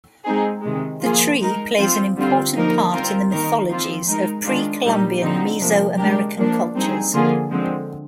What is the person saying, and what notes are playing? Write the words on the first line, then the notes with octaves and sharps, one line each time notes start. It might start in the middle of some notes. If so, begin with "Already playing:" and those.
The tree plays an important part in the mythologies of pre-Columbian Mesoamerican cultures.
G#3 C4 D#4 G#4
C3 D#3 G#3
F3 A#3 F4 G#4
G#3 D#4 A#4
F3 C4 F4
D3 G3 C4 F4
F3 A#3 D#4 A#4
G3 C4 F4 A#4
D#3 A#3 D#4 A#4
F3 C4 F4
G#3 D#4 A#4
D#3 G#3 D4 F4
A#2 G3 A#3 D#4 G4
D3 F3 C4 D#4
C3 F3 A#3 D4
G#3 D4 G4 A#4
F3 A#3 D4
G3 C4 D#4 G#4
D3 F3 A#3 F4 G#4
D3 F3 G#3 C4